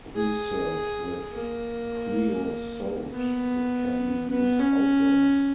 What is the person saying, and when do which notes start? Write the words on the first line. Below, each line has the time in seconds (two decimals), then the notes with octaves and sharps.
Preserved with creosote it can be used outdoors.
0.15 G#4
1.34 A#3
3.11 B3
4.29 B3
4.59 C#4